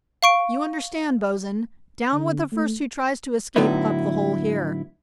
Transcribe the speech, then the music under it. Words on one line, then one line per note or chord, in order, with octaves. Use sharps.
"You understand, bo's'n, down with the first who tries to escape up the hole here."
F5 C#6 D7
D3
A3
A2 D3 F#3 B3 D#4 E4